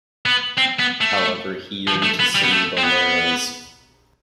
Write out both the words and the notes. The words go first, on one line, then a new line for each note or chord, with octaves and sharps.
However, he yearned to sing boleros.
B3
C4
B3
A3
F3
A3
B3
G3
B3
A3
C4
B3